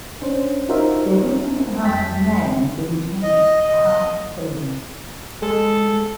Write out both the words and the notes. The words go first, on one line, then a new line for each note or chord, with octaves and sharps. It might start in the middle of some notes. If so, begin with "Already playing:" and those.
They witness the House's name being changed to the House of Villains.
C#4 D4 C5
D#4 F4 F#4 A#4 C5 E5
F2 G5 A5 B6
D#5
D#5
G#3 A4